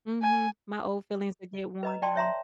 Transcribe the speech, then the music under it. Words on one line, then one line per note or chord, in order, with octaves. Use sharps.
Mhm. My old fillings are getting worn down.
G#5
B4 D#5 A#5
D5 G5 A5 C6
C#5 E5 A#5 C6